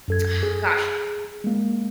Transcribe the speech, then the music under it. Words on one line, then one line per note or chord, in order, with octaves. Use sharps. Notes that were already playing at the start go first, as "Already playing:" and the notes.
ugh, gosh,
F#2 A4 G#6
G#4
G#3 A#3